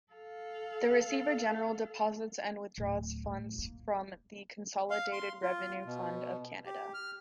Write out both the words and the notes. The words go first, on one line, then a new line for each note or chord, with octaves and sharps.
The Receiver General deposits and withdraws funds from the Consolidated Revenue Fund of Canada.
A4 F5
D1
A2
A#3
F5
C6
F4
B2
G4
F6